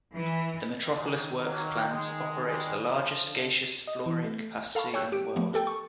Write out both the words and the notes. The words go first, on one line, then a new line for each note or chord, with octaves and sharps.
The Metropolis Works Plant operates the largest gaseous fluorine capacity in the world.
E3
C2 G#2 D#3
F#3 A#3
G#3
G3 G#3
F3
D3
D#5
E3
A3
A4 F5 A5 B5 C#6
C#5 G5 C#6 E6 F#6 G6
G4 D7
F3 A3 B3
G4 A4 G5
C#6